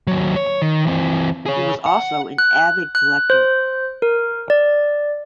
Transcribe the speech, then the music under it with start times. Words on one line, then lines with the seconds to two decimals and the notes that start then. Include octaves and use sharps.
He was also an avid collector.
0.07 D#2 F#3
0.36 C#5
0.62 D#3
0.87 E3 C4
1.46 G#4 C#5
1.86 F#5
2.38 F#6
2.95 F#6
3.30 C5
4.02 A#4
4.50 D5